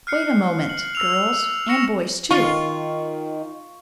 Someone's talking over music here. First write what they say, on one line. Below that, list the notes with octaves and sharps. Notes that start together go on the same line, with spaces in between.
Wait a moment, girls, and boys too!
F6 F#6 C7 C#7
F#7
E6 F7
C#6 E6 A#6 C#7 E7 F7
D#3 F4 C#6